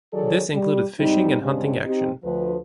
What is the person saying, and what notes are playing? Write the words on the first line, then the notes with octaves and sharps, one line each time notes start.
This included fishing and hunting action.
D#3 F#3 G#4 A4 C#5 D5
G3
G#2 G3 C4 D#4
G2 C#3 G3 G#3 C4 D4
C4 D#4 G4
D2 F3 B4